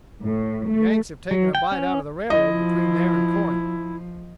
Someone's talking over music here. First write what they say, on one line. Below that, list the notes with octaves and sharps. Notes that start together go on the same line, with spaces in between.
"The Yanks have taken a bite out of the railroad between there and Corinth."
A2
A3
F#3
G5
C#4
F3 E4 D#5